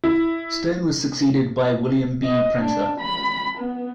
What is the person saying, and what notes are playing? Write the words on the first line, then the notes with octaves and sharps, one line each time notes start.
Stone was succeeded by William B. Prenter.
E4
D#5
D4
B5
B3